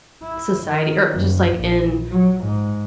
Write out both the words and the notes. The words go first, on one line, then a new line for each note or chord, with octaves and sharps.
society or just, like, in
E4
D#3
F#1
A#1
F#3
G#2